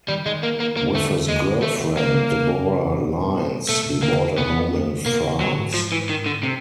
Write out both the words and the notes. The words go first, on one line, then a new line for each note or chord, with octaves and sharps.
With his girlfriend Deborah Lines, he bought a home in France.
D#3 G3
D#3 G#3
A#3
A#3
A#3
D3 A3
G#3
D#3 A3
D#3
D#3 A#3
D3
C#3
B2
B2 A3
C3
D3 A#3
D3
C3 B3
B2 A#3
C#3
D3 F#3
G#2
F3
E3
D#3
D3
C3